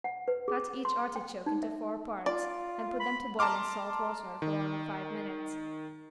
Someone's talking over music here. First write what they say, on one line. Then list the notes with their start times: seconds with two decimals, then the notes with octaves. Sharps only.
Cut each artichoke into four parts and put them to boil in salt water for only five minutes.
0.04 F#5
0.28 B4
0.48 G#4
0.85 C6
1.16 G5
1.46 D#4
1.63 E5
2.26 F4 D5
3.00 B5
3.39 A5 A#5 C6 D6 F6
4.42 D#3